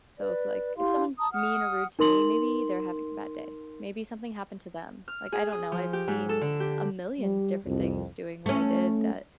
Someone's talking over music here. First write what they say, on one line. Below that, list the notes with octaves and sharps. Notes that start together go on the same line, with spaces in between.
So, it's like, if someone's mean or rude to me, maybe they're having a bad day, maybe something happened to them, like, I don't know. I've seen a million different things doing what I did that
B4 D5
E4 G4 F5 C6
A5 A#5 D#6
F#5 D#6 F6
D#4 A#4 C6 F#7
F6
G#4
D#6
F3
G4
G#2
A4
D3
G4
G3
C2 F2
A3 C#4